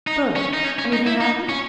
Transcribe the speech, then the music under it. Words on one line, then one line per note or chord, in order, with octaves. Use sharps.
Good. Anything happened?'
D#4
C#4
D#4
C#4
C#4
D#4
E4
D#4
C#4